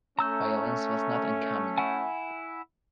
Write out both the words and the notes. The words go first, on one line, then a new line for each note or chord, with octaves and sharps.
Violence was not uncommon.
A3 C#4 A#5 E6 G6
E4 F#5 G#5